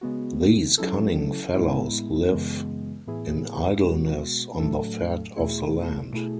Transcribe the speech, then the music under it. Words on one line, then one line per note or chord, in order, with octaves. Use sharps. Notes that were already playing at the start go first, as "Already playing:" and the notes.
These cunning fellows live in idleness on the fat of the land.
C#3 G#3 B3 F#4
F#3 C#4 E4 A4
A2 G#3 B3 E4
F#2 C#3 E3 G#3 B3
A2 E3 B3 E4 G#4
B2 G#3 B3 F#4
A2 F#3 A3 D4 A4
E2 B2 A3 E4 G#4
B2 A3 E4 G#4